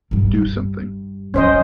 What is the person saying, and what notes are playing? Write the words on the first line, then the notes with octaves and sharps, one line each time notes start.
Do something!
G2 G3
F#2 F3 C#4 C5 D#5